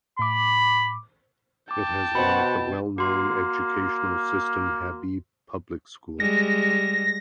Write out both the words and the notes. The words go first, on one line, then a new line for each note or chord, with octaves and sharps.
It has one of the well known educational system Habib Public School.
A2 B5 D6
G5 A5 D6
B2 F#4 C5 F#5 B5
A#3 F#4 C6
G3 G#3 A#6